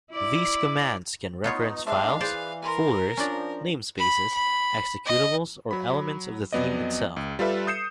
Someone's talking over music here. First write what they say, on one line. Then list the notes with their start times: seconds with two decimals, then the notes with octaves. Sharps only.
These commands can reference files, folders, namespaces, executables, or elements of the theme itself.
0.12 E4 D5
1.44 B3 D#4 F4 C#5
1.86 G#3 D4 C5 D5 E5 F5
2.21 E3 G#4 B4 C5 D5
2.62 A#4 G#5 B5 C6
3.17 F3 C#4 D4 D5 A#5
3.98 B5
4.34 B5
5.06 D#5
5.71 F#3 B5
6.53 F2 F#3 B3 D5 D#5
7.16 C#2
7.39 G3 F4 A4 B4 E5
7.67 D#6 G6 C7 C#7 E7